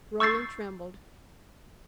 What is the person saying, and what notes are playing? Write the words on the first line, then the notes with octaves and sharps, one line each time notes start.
Rollin trembled.
C#6 E6 G6 A6 C7